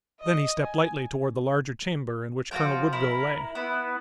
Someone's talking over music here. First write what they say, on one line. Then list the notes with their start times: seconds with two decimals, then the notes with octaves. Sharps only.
Then he stepped lightly toward the larger chamber in which Colonel Woodville lay.
0.20 D#5
0.60 G#5
2.51 F3 F#4 F5 G5
2.93 E4 A#4 A#5 B5
3.55 B3 E4 B4